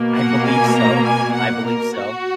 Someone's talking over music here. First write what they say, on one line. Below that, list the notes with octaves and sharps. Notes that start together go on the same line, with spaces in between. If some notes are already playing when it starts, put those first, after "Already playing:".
I believe so. I believe so.
Already playing: B2 A#3
F#5
G#5
A#5
G#5
F#5
A#4
F#4